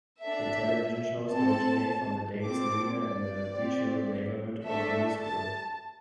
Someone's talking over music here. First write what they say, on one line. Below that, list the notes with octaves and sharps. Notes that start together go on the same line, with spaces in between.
The television shows originate from the Davis Arena in the Buechel neighborhood of Louisville.
D4 A4 E5
C4 A4 A5
C4 A4 D6
D5
C4 G4
A3 D4 A4 E5
A5